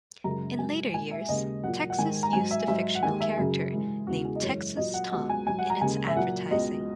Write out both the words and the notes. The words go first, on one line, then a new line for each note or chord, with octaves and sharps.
In later years, Texas used a fictional character, named "Texas Tom" in its advertising.
F#2 C#3 G#3 A#5
G#2 F#3 G#5
A#2 G#3 G#5
E5
D#2 C#3 G#3 D#5
A#2 F#3 F#5
F#5
G#2 D#3 G#3 G#5
A#5
G#2 F#3 G#5
E5
G#2 F#3 E5
F#5
D#2 D#3 G#3 G#5
E5
F#2 C#3 F#3 G#4
G#2 E3 G#3
E2 C#3 E3 G#3 F#4
G#4
D#5
F#2 E3 G#3 C#5
A#2 F#3 D#5
F#5
C#2 B2 G#3 F#5
G#5
G#2 F#3 G#5
F#5
A#5
D#2 C#3 G#3 G#5
E5
A#2 F#3 F#5
C#2 B2 G#3 D#5